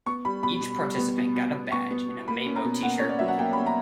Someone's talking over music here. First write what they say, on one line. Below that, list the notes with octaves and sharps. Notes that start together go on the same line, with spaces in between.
Each participant got a badge and a Maemo T-shirt.
B3 C#6
G3 B5
B2 B5
B2
G3
B3
B2
B2
B2
B3 C#6
B3
B3
A#3 B5
C#4
A#5
B2
A#3 F#5
C#4 C#5
D5
F#3 E5
F#5
A#3 G5
B5
A#3
A#5